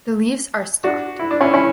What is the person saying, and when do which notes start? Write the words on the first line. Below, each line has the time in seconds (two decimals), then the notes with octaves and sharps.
The leaves are stalked.
0.84 D4 F#4
1.19 E4
1.31 D4
1.41 C#4 E4
1.54 C#4 E4